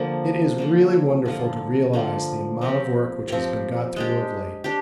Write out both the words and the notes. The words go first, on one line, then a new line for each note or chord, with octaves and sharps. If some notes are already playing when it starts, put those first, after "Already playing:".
It is really wonderful to realise the amount of work which has been got through of late.
Already playing: D3 F3 A#3
D3 F3 A#3
D3 F3 A#3 F4
D3 F3 A#3 F4
F3 C4 G4 A#4
F3 C4 G4 A#4
G#3 D4 G4
D4 G4